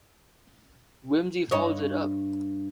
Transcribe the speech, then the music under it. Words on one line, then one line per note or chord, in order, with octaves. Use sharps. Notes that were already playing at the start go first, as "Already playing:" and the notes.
Wimsey follows it up.
G2 C#5 D#5